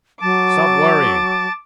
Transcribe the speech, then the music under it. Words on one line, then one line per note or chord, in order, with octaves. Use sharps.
"Stop worrying!"
F#3 A5 D6